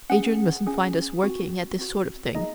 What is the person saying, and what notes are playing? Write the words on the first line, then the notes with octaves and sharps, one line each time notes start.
Adrian mustn't find us working at this sort of thing.
C#4 G#4 F#5
C#4 G#4
C4 F#4
C4 F#4
A#3 D#4 G#4 D#5